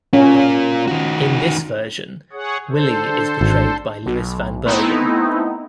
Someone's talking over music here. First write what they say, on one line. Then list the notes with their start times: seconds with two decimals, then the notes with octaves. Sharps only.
In this version, Willie is portrayed by Lewis Van Bergen.
0.13 A#3 C#4 F4
0.87 D#3 F#4
2.33 G#4 C#5 F#5
2.69 D3 A4 C5
3.41 G#1
4.06 B1
4.65 A3 B3 C4 D#4 E4